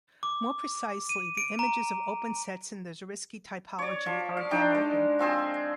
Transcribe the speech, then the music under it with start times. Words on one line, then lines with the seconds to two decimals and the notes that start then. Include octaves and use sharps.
More precisely, the images of open sets in the Zariski topology are again open.
0.23 D6
1.09 D#7
1.37 D7
1.59 A#5
3.78 C#5 D5
4.06 F3
4.37 F5
4.51 D4 D#4 D5 G5
4.75 G#3
5.19 F3 C4 G#4 C5